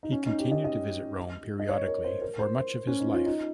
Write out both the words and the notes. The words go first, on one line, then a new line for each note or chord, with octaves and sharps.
He continued to visit Rome periodically for much of his life.
D#4
C#4
D#4
G4
D#5
D#5
D#5
C#5
A#4
C5
A#4
C5
C5
C#4
D#4
F4
D#4